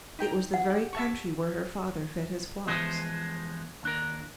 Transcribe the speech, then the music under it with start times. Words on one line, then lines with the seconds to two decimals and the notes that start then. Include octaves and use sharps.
It was the very country where her father fed his flocks.
0.19 D#4 G5 A#5
0.54 F#5
0.70 G4
0.93 E5 A5 C#6
2.67 E3 F3 G#3 B3 C5
3.83 D#2 D4 A#4